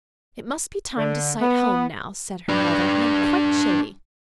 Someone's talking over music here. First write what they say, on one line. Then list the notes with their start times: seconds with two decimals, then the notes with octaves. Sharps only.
"It must be time to sight home now," said her mother; "I am quite chilly."
0.98 D3
1.41 B3
2.49 D4 B4